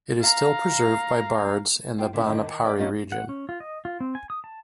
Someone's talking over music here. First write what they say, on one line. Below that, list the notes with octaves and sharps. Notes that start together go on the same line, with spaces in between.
It is still preserved by bards in the Banaphari region.
F5 A#5
F4 G5
A#2 D3 B3 C#4 E4
G2 D3 D#3 A3 D#4
D#3
G4 B4 D5
A#3 C#4 D#4 F4 F#4
F#5
C#4
F4
D#5
F4
C4
G#5
D#6
A5